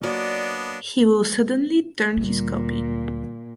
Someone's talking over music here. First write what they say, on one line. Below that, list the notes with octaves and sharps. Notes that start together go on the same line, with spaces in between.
He will suddenly turn his copy.
F#3 A#3 B3 D4 D5 D#5
D2 A#2 G3